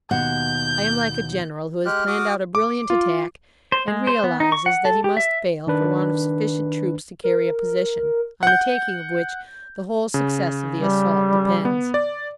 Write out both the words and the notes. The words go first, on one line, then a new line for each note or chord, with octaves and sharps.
I am like a general who has planned out a brilliant attack, and realises that he must fail for want of sufficient troops to carry a position, on the taking of which the whole success of the assault depends.
D#2 B2 F#5 G6
G#3 G4 F6 F#6
F#4 D6 D#6
D6
F4
C5
G#3
C5
B3
D#4
C#6
F#5
A4
G4
E5
D#3 D4 B4
A#4
F#5 G6
C#3
G3
B3
D5